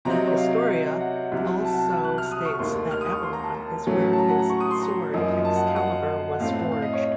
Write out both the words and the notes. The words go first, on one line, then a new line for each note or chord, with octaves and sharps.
The "Historia" also states that Avalon is where his sword Excalibur was forged.
C3 F#3 C4 D#4 A#5
C#5
F5
F#5
C2 C3 F#3
A5
F#5
A5
F#6
F6
D#6
C#6
D#2 D#3 A3 C6
F6
D#6
C#6
C6
A#5
A5
A5
A2 F#3 A3 C#4
A5
A#5
F#5
A#5
C#6
D#6
C6
A#5
F#2 F3 A#3 D#4
A5
F#5
F5
F#5
F#5
A2 A3 C4 F5
F5
D#5
C#5